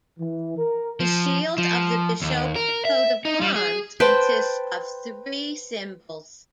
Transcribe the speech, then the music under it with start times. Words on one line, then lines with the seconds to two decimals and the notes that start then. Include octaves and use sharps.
The shield of the bishopric coat of arms consists of three symbols.
0.19 E3
0.57 A#4
1.00 F3
1.58 F3
2.22 D#2
2.56 A#4
2.85 E5
3.25 D#4
3.41 G3
3.56 G#4
4.00 B4 C5 G5 A5